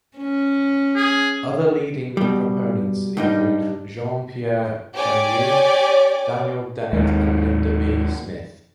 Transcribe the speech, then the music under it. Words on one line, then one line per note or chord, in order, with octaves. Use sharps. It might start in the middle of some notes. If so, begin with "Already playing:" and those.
Other leading proponents include Jean-Pierre Changeux, Daniel Dennett and Linda B. Smith.
C#4
G#4
B2 G3
G2 G3 D#4
G4 C#5 D5 G#5 D6
D#2 G#3